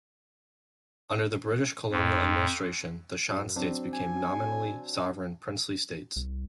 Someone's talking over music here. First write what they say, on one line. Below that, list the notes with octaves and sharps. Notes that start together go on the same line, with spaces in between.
Under the British colonial administration, the Shan States became nominally sovereign princely states.
F2
F#2
F#3 C4 D4
G#5
C2